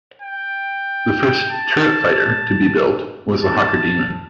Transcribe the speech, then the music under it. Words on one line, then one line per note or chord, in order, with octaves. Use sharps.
The first "turret" fighter to be built was the Hawker Demon.
G5
A5
A5